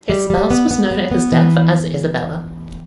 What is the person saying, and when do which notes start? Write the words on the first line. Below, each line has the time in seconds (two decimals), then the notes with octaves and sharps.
His spouse was known at his death as Isabella.
0.10 G3
0.30 G3
0.51 B3
0.71 B3
0.91 B3
1.11 B3
1.32 E3